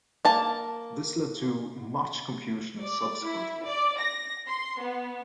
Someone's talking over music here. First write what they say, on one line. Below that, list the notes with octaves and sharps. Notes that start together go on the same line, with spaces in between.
This led to much confusion subsequently.
A#3 A5
D5
E4
D5
A#6
C6
B3